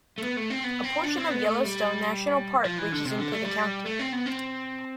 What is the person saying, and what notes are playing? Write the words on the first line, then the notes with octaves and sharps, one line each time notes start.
A portion of Yellowstone National Park reaches into the county.
A3
B3
A3
C4
B3
C4
D4
C4
B3
A3
G3
F3
E3
D3
C3
D3
A3
G3
A3
C4
B3
C4